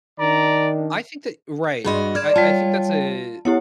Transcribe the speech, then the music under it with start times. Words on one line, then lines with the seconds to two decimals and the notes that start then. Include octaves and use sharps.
I think that right, I I think that's a it
0.20 D#3 D4 D5 A#5
1.84 G2 F#4 G#4 D#5 B5 C6
2.15 D5 F6 G#6 E7
2.36 G3 F4 C#5 A5
3.45 B3 E4 G4 C#5 F#5